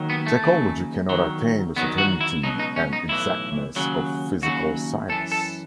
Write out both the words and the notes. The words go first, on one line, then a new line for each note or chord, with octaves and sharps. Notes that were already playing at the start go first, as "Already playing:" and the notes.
Psychology cannot attain the certainty and exactness of the physical science.
Already playing: D#2 D#3 F#3
B3
A3
D#2 C#3 F#3
E2 D#3 F#3
E2 D#3 F#3 B3
F#4
E4
C#2 B2 F#3 D#4
D#4
C#4
D#4
B1 A2 E3 E4
D#2 C#3 F#3
D#2 C#3 F#3 F#4
F#2 E3 A4
A4